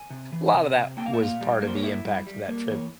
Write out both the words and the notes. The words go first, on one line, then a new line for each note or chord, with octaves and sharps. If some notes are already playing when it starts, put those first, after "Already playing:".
a lot of that was part of the impact of that trip.
Already playing: G#5
C3
E3
C3
C3
A#3 G5
F5
E5
A#2 F5
G3
A#3
C5
C#5
E4 E5
G3
G3
A#3
E3 C#5